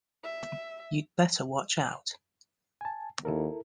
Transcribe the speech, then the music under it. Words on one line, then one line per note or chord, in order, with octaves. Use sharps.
You'd Better Watch Out!
E5
G#5 A5
D#2 E4 A4 A#4